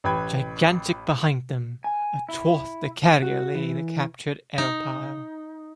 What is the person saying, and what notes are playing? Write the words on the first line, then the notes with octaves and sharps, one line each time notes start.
Gigantic behind them, athwart the carrier lay the captured aeropile.
A1 B4 G5 B5 G#6
G#5
E4
F#4
E3
D#4